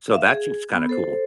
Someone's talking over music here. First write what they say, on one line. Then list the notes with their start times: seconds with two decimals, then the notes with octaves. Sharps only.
So, that's just kinda cool.
0.12 E5 F5
0.29 G#4
0.73 B3
0.89 A4 C5